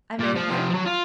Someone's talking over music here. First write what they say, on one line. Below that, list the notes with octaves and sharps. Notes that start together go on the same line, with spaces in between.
I married her.
A#2
F3
C3 F3
F3 F#3
F4